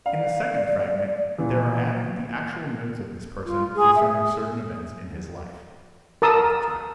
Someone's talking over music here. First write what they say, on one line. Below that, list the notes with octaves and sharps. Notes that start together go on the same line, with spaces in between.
In the second fragment there are added the actual notes of this person concerning certain events in his life.--AUTHOR'S NOTE.
D5 F5
A#2 E3 A#3
F4
G#4
E5
A#4 A5 D#6 E6